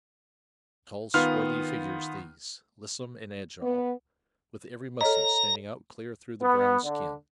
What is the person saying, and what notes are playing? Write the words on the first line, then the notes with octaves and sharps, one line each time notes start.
Tall, swarthy figures these, lissome and agile, with every muscle standing out clear through the brown skin.
D#3 B3 F4 C6 F6
B3
A4 C#5 D#5 A#5
B3
D3